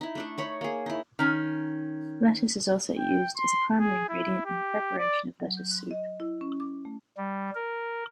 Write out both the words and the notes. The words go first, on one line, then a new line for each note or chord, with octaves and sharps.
Lettuce is also used as a primary ingredient in the preparation of lettuce soup.
D#4 E4
A3 D4 A4
D#4 C#5 B5
A#3 G#4
D#4 E4
D#3 C#4
G5
C6
G#4
E4
G4
D5
F#3
G6
F#6
D#5
E4
C#4
D6
A3
G3
A#4